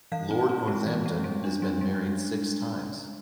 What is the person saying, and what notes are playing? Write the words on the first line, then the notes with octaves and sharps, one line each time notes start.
Lord Northampton has been married six times.
E3 F5
C4
C4
G#3
E3
G#3
G3
D4
G3
G3